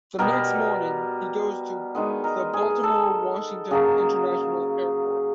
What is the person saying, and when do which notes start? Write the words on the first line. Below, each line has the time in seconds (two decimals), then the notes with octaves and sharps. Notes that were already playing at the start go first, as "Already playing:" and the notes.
The next morning, he goes to the Baltimore-Washington International Airport.
0.19 B2 G3 B3 A#4
1.95 D#3 G#3 B3 B4
2.24 A#4
2.53 G#4
2.83 A4
3.71 C#3 F#3 A#3 G#4